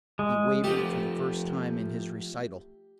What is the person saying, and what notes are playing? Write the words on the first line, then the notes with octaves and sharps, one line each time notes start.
He wavered for the first time in his recital.
G#3
F3 A3 G4